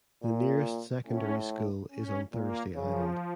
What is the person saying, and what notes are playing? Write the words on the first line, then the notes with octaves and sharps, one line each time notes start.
The nearest secondary school is on Thursday Island.
A#2
A2 C#4
C#4
A#2 A#3
C#3 F3